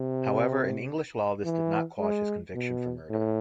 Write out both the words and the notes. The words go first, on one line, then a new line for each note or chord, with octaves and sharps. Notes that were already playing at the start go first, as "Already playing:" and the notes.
However, in English law this did not quash his conviction for murder.
Already playing: C3
E3
G#3
B2
A2